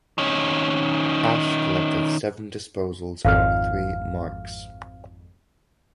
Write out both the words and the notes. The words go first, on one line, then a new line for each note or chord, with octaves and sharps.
Ash collected seven disposals and three marks.
D#3 C#4
G#1 F2 F5 F6